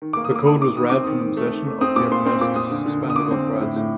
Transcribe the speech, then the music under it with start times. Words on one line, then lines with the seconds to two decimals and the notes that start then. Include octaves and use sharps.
The code was read from the position of paper discs suspended on threads.
0.02 D#3
0.13 D6
0.17 A#3
0.25 D#6
0.32 A#3 D6
0.47 D#3 D#6
0.61 D#3 D6
0.77 D#3 D#6
0.90 C4 D6
1.03 D#3 D#6
1.22 D#3
1.37 A3
1.52 D#3
1.66 A3
1.81 C4 D#6
1.96 A#2 D6
2.11 A#2 C6
2.26 C4 C6
2.41 A#2 D6
2.56 A#2 D#6
2.71 D3
2.86 D3
3.01 D3
3.10 D#6
3.16 D3 D6
3.31 C4
3.46 D3
3.61 A2
3.76 A2